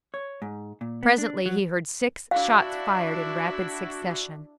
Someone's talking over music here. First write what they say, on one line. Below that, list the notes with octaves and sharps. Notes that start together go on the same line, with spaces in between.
Presently he heard six shots fired in rapid succession.
C#5
G#2
A#2
B3
D4
F#3
D4 E4 F#4 F5